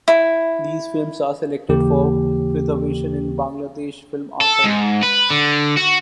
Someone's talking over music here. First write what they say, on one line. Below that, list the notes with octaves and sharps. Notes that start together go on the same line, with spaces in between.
These films are selected for preservation in Bangladesh Film Archive.
E4
D#2 C#3 E3 A#3 G4
A4
G#2
B4
D3
F#4